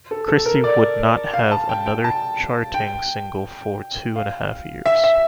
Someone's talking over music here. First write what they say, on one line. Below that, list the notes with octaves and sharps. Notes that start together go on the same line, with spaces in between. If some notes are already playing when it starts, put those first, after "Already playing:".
Christie would not have another charting single for two and a half years.
A4
A4
A#4
D5
F5
A5
G5
G5
A5
G5
F5
E5
E5